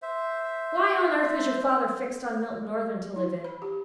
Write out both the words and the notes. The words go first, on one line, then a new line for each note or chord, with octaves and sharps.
'Why on earth has your father fixed on Milton-Northern to live in?'
C5 E5
E4
B5
G4